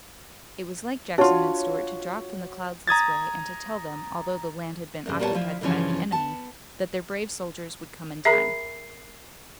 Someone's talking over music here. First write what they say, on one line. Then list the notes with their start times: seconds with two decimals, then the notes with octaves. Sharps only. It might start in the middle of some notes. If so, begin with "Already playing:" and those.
It was like Jackson and Stuart to drop from the clouds this way and to tell them, although the land had been occupied by the enemy, that their brave soldiers would come in time.
1.18 D4 F4 F#4 C#5
2.87 A#5 D#6 G#6 A6
5.06 E2 G2 C#3
5.19 A#2 G3 B3 C5 C#5 A5
5.34 F3 E4 F4
5.61 G2 C#3 E3 F3 C#4
6.12 B3 A5
8.25 G#4 A#4 E5 A#5 B5 C7